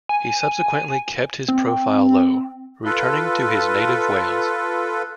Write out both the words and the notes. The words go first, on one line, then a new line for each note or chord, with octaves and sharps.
He subsequently kept his profile low, returning to his native Wales.
G#5
C4
F4 A4 B4